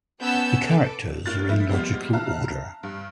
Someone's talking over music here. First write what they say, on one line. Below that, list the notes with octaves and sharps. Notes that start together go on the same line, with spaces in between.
The characters are in logical order.
B3 C#4 F#5 A5 E6 G6
A4 B4 D6
A2 F4 A#4 F#6 A6
F3 A3 E4
F3 G3 G#3 A#3 B3 F4
E5 F5 A5 A#5 F6 F#6
G2